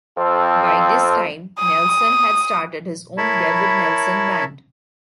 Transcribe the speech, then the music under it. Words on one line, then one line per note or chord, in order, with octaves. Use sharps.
By this time, Nelson had started his own David Nelson Band.
F2 C4 F4 A4
D#6
E4 A#4 C#5 A5 B5